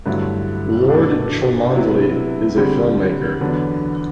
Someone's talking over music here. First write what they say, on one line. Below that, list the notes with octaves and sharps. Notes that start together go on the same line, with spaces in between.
Lord Cholmondeley is a filmmaker.
G2 D3 F#3 A3 E4
B2 A3 D4
C3 F#3 B3 E4
D3 G3 C4
E2 D3 F#3 B3 D4